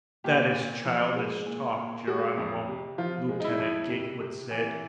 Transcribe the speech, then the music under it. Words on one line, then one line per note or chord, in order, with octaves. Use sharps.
"That is childish talk, Geronimo," Lieutenant Gatewood said.
A#2 G4
A#2
F3
G#3
A#2
A#2
G#3 F#4
F2
C3
F3 F4
G#3
D#4
E4
F2
C3
C3
E3